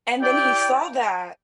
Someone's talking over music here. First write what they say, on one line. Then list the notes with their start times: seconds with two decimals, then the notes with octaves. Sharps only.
And then he saw that
0.21 E4 G4 D5 G5